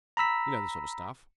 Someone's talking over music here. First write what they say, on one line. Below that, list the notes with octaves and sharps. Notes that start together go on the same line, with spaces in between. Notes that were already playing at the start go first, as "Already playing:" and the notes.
You know the sort of stuff.
A#5 B5 E6 B6